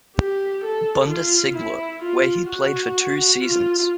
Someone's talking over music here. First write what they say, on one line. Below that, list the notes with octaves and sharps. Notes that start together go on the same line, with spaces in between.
Bundesliga, where he played for two seasons.
G4
A4
F4
E4
F4
F#4
F4